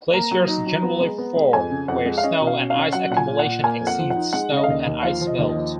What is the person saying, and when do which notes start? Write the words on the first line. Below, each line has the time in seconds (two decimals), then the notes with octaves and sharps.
Glaciers generally form where snow and ice accumulation exceeds snow and ice melt.
0.13 A#3 A#5
0.31 F#3
0.48 D#4
0.66 F#3
0.83 B3
1.00 G#3
1.18 B3
1.36 G#3
1.53 F2 G#5
1.70 C#3
1.88 F2 F#5
2.06 G#3
2.18 F5
2.23 C#4 D#5
2.40 B2
2.47 F5
2.59 C#4
2.70 F5
2.76 C#4
2.93 F#3 F#5
3.10 A#2 F#5
3.17 G#5
3.28 A#2
3.39 F#5
3.45 A#2
3.64 A#3 G#5
3.80 F2
3.87 F#5
3.99 F3
4.10 F#5
4.16 D#4
4.33 G#3 F#5
4.51 C#3
4.57 D#5
4.63 F5
4.68 D#2 D#5
4.80 D#5
4.86 D#2
5.03 F3 F5
5.21 F3
5.27 D#5
5.39 D#2
5.49 D#5
5.55 F3